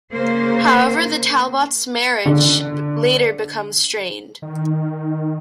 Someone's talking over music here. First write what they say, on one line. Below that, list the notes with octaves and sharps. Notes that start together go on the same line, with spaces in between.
However, The Talbots' marriage later becomes strained.
C#3 A#3 C5
D3
D#3